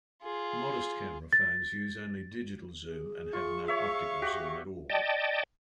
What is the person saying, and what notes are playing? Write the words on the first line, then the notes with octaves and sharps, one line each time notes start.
Modest camera phones use only digital zoom and have no optical zoom at all.
F4 G#4
A6
G#4
F4 C#6
C#5 E5 F5 C#6
F#4 G4
D5 D#5 G5 A5